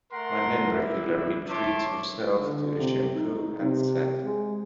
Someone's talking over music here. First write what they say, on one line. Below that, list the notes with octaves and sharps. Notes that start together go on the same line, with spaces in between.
My nan regularly treats herself to a shampoo and set.
A3 A#4 F#5 A#5 C6
E4 G4 E5
C#5 E5 A5 C6 D6
D3
C3
D#4
C3
G#3